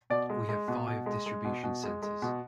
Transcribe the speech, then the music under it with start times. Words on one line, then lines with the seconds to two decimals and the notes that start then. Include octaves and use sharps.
We have five distribution centres.
0.10 B2 D5
0.30 G#3
0.49 G#3
0.68 B2
0.87 B2
1.06 G#3
1.26 G#3
1.45 B2
1.64 B2
1.83 G#3
2.02 G#3
2.22 B2